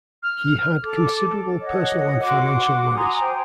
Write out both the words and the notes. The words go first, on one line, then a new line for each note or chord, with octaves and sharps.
He had considerable personal and financial worries.
F6
A4 D6
C#5 D#5 F#5
F#4 F#5 C6 D6
G#5 A#5 C6 D#6
C5 G5 G#5